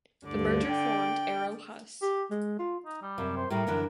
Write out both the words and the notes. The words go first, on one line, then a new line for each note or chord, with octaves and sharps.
The merger formed Arrow Huss.
D2 G2 D3 D5
G5
G4
G#3
F4
D#4
G3
F#2 C3
C5
A2 G3 A3 A#4
F#2 D3 E3